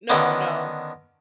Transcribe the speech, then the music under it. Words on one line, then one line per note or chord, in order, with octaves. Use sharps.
No, no.
D3 D#3 B3 C#4